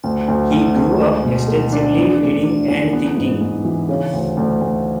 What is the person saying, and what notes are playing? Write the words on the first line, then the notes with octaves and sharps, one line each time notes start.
He grew up extensively reading and thinking.
D2
D2
D2
D2
G#3
B2
G#3
D4
E2
A3
D4
E2
B3
G#2
G#2
E3
C#3
D2
D2
D2